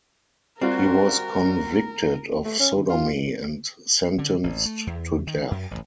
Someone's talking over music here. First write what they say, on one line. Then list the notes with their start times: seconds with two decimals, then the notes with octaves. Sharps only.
He was convicted of sodomy and sentenced to death.
0.61 G3 C4 F4 F#4 A#4
2.44 A3
2.60 C#4
2.76 D#3
2.89 F4
4.19 D3
4.44 A1
4.65 A3
4.87 E2
5.27 D#3
5.51 F#2
5.71 A1